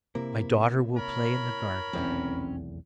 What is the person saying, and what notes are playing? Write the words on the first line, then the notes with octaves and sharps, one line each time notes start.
My daughter will play in the garden.
C3 A#3 E4
A#4 C#5 B5
F1 B1 E2 C4 C#4